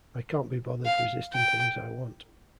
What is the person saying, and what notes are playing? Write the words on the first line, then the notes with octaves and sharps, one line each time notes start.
I can't be bothered resisting things I want.
F5
G5